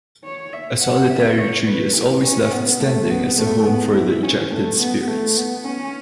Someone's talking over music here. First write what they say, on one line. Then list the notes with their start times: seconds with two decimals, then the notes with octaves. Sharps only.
A solitary tree is always left standing as a home for the ejected spirits.
0.24 C#5
0.53 E5
0.82 F#5
1.10 E5
1.38 C#5
1.67 B4
1.95 E4
2.23 C#4
2.52 B3
2.80 A3
3.09 B3
3.38 A3
3.66 B3
3.94 E4
4.23 C#4
4.51 A3
4.80 B3
5.08 A3
5.37 B3
5.65 C#4